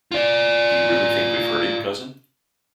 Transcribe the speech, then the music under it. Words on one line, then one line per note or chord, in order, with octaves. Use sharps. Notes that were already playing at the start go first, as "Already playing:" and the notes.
Do you really think we've hurt him, cousin?
F4 D5